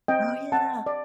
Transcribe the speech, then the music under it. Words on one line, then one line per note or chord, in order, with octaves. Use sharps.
Oh yeah.
C4 D#5 G5
C4 F#5 A5
D5